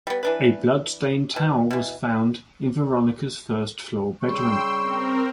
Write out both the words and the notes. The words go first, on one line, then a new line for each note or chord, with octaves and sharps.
A bloodstained towel was found in Veronica's first-floor bedroom.
G3 B3
E3 D4 B4
B2
B2 E3
C#3 G3 G5 C6 C#6 E6
C4 A#4